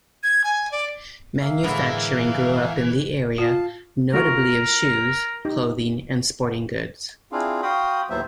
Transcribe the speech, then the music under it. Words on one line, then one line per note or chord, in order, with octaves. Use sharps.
Manufacturing grew up in the area, notably of shoes, clothing, and sporting goods.
G#6
G#5
D5
A#3 E5 F5
A2 D3 E3 G#3
F4 F5 A5
A3 F4 F#4 A#4
D#4 G4
C4 D4 E4 F4 G#4 F5
F#4 F5 G5 B5 C6 D#6
D#2 A2 F#3 B3 C5 E5